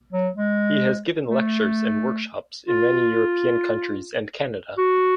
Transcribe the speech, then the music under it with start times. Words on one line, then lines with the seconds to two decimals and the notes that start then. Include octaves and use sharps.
He has given lectures and workshops in many European countries and Canada.
0.12 F#3
0.36 G#3
1.29 A3
2.68 F4
4.78 F#4